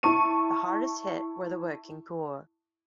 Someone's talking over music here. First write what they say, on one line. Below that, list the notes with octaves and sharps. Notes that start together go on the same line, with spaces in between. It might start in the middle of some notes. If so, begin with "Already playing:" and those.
The hardest hit were the working poor.
E4 A5 C#6 D#7